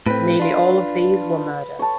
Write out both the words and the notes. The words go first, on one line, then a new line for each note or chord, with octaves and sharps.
Nearly all of these were murdered.
A2 C4 B4
D4 F4
C#5 A5